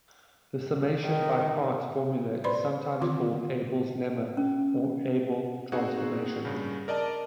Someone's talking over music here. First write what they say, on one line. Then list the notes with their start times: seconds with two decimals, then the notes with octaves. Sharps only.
The summation by parts formula is sometimes called Abel's lemma or Abel transformation.
1.04 D#3
2.44 B4 C5 D5 B5 C6
3.01 D3 D#3 C4 F4 D6
4.37 C#4
5.72 C4 D#4 F#4 G#4 F#5
6.45 G2 C#3
6.88 A#4 D5 D#5 A5